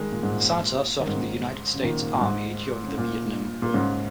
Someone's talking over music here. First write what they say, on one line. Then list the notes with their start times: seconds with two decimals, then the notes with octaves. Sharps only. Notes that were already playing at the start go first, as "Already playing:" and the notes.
Sulzer served in the United States Army during the Vietnam War.
Already playing: D#3 G#3
0.12 A#2
0.23 G#2
0.31 A#2
1.00 D#3
1.07 G#2 C#3
1.74 C#3
1.83 A#2 D#3
2.02 A#2
2.14 A#2
2.21 G#2
2.86 C#3
2.98 A#2
3.62 A#2
3.74 G#2 C#3